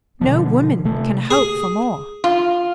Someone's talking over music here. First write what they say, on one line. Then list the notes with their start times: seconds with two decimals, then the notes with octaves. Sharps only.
No woman can hope for more.
0.21 B2 D3 F3
0.85 C3 A3
1.31 G#4
2.24 F4